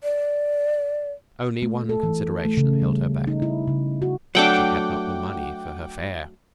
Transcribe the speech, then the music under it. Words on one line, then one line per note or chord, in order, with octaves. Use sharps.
Only one consideration held her back--she had not the money for her fare.
D5
A3
A4
E3
A3
C#3
G3
D#4
E4
C#3
F#4
F#3 A3 D4 F#5 G5 D6